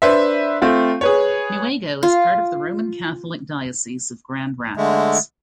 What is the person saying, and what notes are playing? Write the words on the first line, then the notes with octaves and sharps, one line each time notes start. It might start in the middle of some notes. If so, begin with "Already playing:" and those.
Newaygo is part of the Roman Catholic Diocese of Grand Rapids.
D4 B4 C5 E5
A3 C4 F4
G#4 B4 C#5
F4
D3 G#3 A3